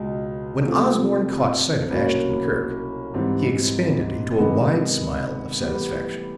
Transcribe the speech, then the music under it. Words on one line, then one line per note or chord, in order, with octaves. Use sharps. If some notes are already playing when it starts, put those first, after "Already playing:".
When Osborne caught sight of Ashton-Kirk he expanded into a wide smile of satisfaction.
Already playing: C#2 B2 G#3
C3 F3 A3 C4
C2 B2 F#3 A#3 C#4
G#2 E3 G3 C4
C3 D#3 G#3 B3
A2 E3 G3 B3